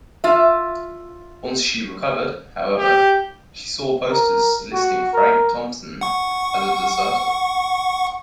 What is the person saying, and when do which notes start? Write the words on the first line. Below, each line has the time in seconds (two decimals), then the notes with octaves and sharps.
Once she recovered, however, she saw posters listing Frank Thompson as a deserter.
0.24 F4 E5
2.78 G4
4.12 A#4
4.74 F#4
5.14 A#4
6.01 F#5 C#6